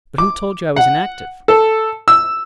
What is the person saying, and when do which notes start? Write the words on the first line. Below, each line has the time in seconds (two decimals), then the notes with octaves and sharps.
"But who told you I was inactive?"
0.18 D6
0.76 F#5
1.48 A4
2.08 E6